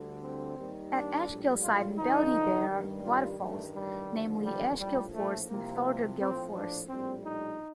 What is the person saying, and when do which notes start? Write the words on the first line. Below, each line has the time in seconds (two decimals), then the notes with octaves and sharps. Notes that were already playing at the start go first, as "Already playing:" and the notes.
At Ashgillside and Beldy there are waterfalls namely Ashgill Force and Thortergill Force.
Already playing: D2 D3 G3
0.21 C4
0.56 D#2 D#3 G3
0.92 D4
1.27 A#1 A2 G3
1.62 F4
1.97 G2 D3 F3 D#4
2.68 G2 D#3 G3
3.03 F4
3.38 A1 G2 D#3 G3 A3
3.73 G3
4.08 D#2 D3 F3
4.43 G3
4.79 A#1 A2 F3 G3
5.13 A3
5.49 C2 C3 F3 A#3
6.19 A#1 A2 F3 C4
6.54 D4
6.89 A#1 A2 G3 C4
7.24 D#4